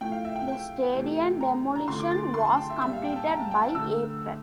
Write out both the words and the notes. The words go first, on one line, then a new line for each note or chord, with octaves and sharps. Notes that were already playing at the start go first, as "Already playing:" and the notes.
The stadium demolition was completed by April.
A2 F3 A3 G5
F5
E5
G5
G5
C3 E3 A3
A#5
A#5
D3 F3 A3 C6
D6
A6
C6
A5
G5
E5
A#2 G3 E5
F5
G5
A5
A#5
A5
G5
A5
D3 A3 E6